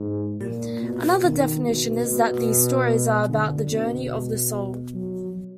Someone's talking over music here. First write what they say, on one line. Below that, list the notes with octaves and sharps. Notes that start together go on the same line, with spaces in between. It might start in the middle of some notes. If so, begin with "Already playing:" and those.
Another definition is that these stories are about the journey of the soul.
Already playing: G#2
A#2
B2
D#3
B2
B2
D3
B2
F#3